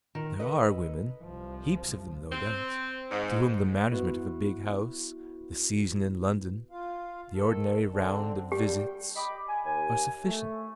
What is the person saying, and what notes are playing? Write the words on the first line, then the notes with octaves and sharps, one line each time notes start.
There are women, heaps of them, no doubt, to whom the management of a big house, the season in London, the ordinary round of visits, are sufficient.
D#3
A4 B4 D#5
C2 F3
C4
G#2
B3 E4 F#4 B4
F4 F5
D#3 A4
D3 C4 D4
G3 G4 G5
D#5 G5 B5 D6
G#5
D#2 G#5
A3